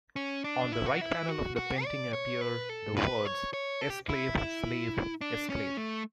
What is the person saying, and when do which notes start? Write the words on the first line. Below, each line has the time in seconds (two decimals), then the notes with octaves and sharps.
On the right panel of the painting appear the words "Esclave, Slave, Esclave".
0.16 C#4
0.44 D4
0.72 E4
0.86 F#4
1.01 E4
1.29 F#4
1.56 F#4
1.84 D5
2.13 C#5
2.41 B4
2.69 A4
2.97 B4
3.25 C#5
3.53 C#5
3.81 A4
3.90 G4
4.09 E4
4.37 E4
5.21 D4
5.50 C#4
5.77 A3